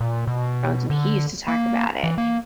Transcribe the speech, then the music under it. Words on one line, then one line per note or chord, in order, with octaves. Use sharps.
Thrones," and he used to talk about it.
A#2
B2
D3
A#3
E3
A#3